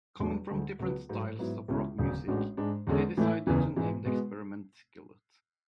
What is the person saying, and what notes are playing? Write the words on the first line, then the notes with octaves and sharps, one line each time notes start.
Coming from different styles of rock music, they decided to name the experiment Skillet.
E2 B2 F#3 A3 D4
D2 D3 G#3
C#2 B2 F#3 B3
G#2 F#3 A3
G#2 F#3 B3 E4
C#2 B2 G#3 C#4 E4
E1 D2 C#3 F#3
A1 A2 G#3 D4 F#4
G#2 G#3 D4
E2 D3 G#3 C#4 G#4
A2 E3 A3 E4
F#1 E2 C#3 E3 B3
G#2 E3 G#3
B2 G#3 B3